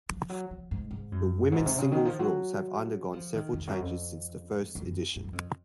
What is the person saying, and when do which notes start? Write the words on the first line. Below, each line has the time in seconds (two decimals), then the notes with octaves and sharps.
The women's singles rules have undergone several changes since the first edition.
0.10 F3
0.30 F#3
0.51 F3
0.71 G#2
0.91 G#2
1.12 F#2
1.52 G#2
1.59 A#2
1.66 C3
1.78 C#3
1.92 D#3
2.05 F3
2.19 F#3
3.13 F3
3.34 D#3
3.53 F2
3.67 F#2
3.80 F2
4.75 F#2
5.16 G#2
5.24 F#2
5.33 F2